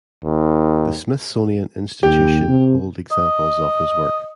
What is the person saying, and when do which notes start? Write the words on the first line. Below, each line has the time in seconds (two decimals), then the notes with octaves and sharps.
The Smithsonian Institution hold examples of his work.
0.25 D#2
2.03 D#2 G4
2.49 C3
3.12 D#5